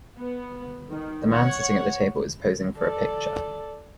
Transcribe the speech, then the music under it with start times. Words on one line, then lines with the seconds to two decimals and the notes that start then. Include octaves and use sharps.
The man sitting at the table is posing for a picture.
0.19 B3
0.90 D#3
1.30 C#5 F#5
2.78 A4 D5